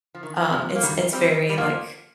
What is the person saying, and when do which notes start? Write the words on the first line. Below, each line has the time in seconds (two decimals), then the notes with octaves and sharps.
um, it's it's very, like,
0.15 F3
0.23 D#3
0.53 C3 F3
0.75 A#3
0.83 D#3 G3
1.13 G3 C4
1.49 G3
1.58 F3 A#3